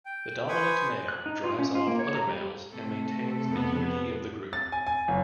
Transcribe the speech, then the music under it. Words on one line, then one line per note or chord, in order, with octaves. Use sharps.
The dominant male drives off other males and maintains the unity of the group.
G5
B4 C5 G#5 B5 C#6 D#6
F#6
D#4
F4
C#4
F4
A#3
C#5
A#5
G3
C3 A3 A4
F2 B3
A6
G#5
G#5
F#1